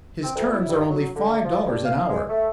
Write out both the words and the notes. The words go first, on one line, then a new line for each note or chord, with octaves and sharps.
His terms are only five dollars an hour.
C4
D2
E4
G2
F#3
D3
F3
G2
F5
G#3
A3